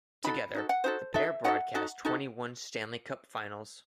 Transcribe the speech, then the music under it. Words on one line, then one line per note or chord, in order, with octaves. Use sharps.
Together, the pair broadcast twenty-one Stanley Cup Finals.
D#4 F#4 A4 B5
D#4 F#4 A4
F#5
D#4 F#4 A4 C5
D#4 F#4 A4 E5
D#4 F#4 A4 F#5
D#4 F#4 A4
D#4 F#4 A4